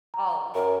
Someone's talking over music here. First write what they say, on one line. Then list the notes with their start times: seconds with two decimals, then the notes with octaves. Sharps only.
All of 'em.
0.14 A#5
0.55 F#2 A#4 A#5